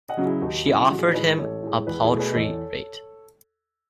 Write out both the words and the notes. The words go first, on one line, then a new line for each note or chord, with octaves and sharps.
She offered him a paltry rate.
D#5 F#5
C#3 F#3 F#4
E4 G#4
D#2 D#4 F#4
C#3 F#3 E4 G#4
A1 F#4
G#4
D#4 F#4
A2 G#3 G#4 B4
A1 A4 C#5
A2 G#3
E2 G#4 B4
E4 G#4
B2 A3
G#4 B4
D#5
E2 A4 C#5